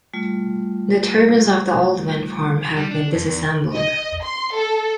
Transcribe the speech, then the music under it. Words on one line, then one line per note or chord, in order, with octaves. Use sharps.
The turbines of the old wind farm have been disassembled.
G3 A3 F4
G3
D4
F2
E2
D#5
C6
A4